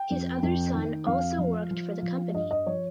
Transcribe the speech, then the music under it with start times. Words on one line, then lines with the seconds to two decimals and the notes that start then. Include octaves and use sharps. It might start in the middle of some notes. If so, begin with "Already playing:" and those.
His other son also worked for the company.
Already playing: G5
0.11 F2
0.43 F2
0.75 D#3
1.07 F2 F5
1.38 F3
1.71 F3
2.03 F3
2.34 G2 D#5
2.51 D#5
2.67 F3 C#5